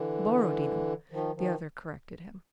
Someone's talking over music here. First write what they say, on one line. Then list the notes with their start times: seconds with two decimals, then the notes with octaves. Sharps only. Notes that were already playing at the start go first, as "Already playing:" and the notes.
"Borodino," the other corrected him.
Already playing: D3 E3
1.11 D#3 F3
1.35 D#3 F3